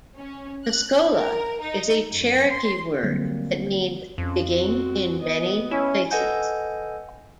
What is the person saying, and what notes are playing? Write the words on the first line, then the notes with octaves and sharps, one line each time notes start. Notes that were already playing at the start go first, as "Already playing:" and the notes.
Tuscola is a Cherokee word that means "Digging in Many Places".
C#4
F#6
A#4
D#4
F#2
C6
D3 F#3 G3 A3 A#3 C4
F2 C#4
C4 F#4
B3 D#5
C#4 E4
A4 B4 D#5 F#5 G#5 G6